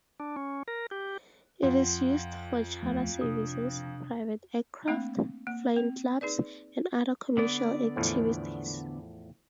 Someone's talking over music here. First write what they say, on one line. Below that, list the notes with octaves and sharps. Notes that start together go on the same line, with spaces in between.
It is used for charter services, private aircraft, flying clubs, and other commercial activities.
D4
C#4
A#4
G4
F2 F#5 C6
D#2 F3 A3
C3 D4 D#6
A3 A#3 C4 D4
A#3
C4
D#4 G#4 B4 D5
D3 B3 D5
E2 A2 F3